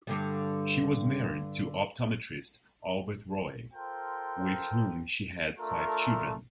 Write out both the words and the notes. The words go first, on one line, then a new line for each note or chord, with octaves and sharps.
She was married to optometrist Albert Roy, with whom she had five children.
G2 D3 G3
F4 A4 A#4 C5 G5
A3 D4 F4 A4 A#4